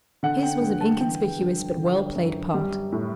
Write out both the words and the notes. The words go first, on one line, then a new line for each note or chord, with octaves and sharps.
His was an inconspicuous but well played part.
D3 F#5
G5
G2 G5
A5
E3 G5
G2
D3
F#2
G3
A2